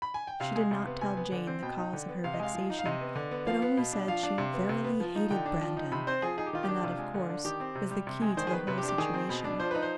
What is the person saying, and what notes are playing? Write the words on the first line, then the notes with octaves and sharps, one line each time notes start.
She did not tell Jane the cause of her vexation, but only said she "verily hated Brandon," and that, of course, was the key to the whole situation.
B5
G#5
G5
C3 F5
G#3
C3
B3
C3 G#5
B3
D3
C4
B2 G5
D#4
D3
B3
C3 F5
D#5
G#3 F5
F3
D#4
F5
C3 D#5
B3
D3
B3
F3 F5
B3
B2
D4
F3 F5
D4
C3
B3
C3
B3
F3
D#4
D3 G5
D4
F3
D#4
C3 B5
C4 C5
F3 G#4
D#4 G#4
G4
D#3 F4
G4
D4
C3 F4
G#3
D3
D4
D#3 G4
C4
C3
G3
C3
G#3
D#3 C5
G#4
B3 B4
C3 B4
G4
D4
G4
D#3 G#4
C4
B2
D4
F3 C5
D#4 B4
C5